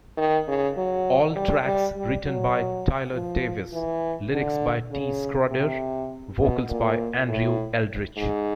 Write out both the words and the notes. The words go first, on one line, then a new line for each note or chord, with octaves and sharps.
All tracks written by Tyler Davis, lyrics by T. Schroeder, vocals by Andrew Eldritch.
D#3
C#3
F#3
G3
G3
G3
F#3
F3
E3
D3
C#3
C3
B2
A#2
A2
G#2